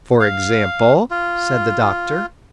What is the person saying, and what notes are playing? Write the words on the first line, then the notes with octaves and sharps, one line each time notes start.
"For example?" said the Doctor.
F5
F4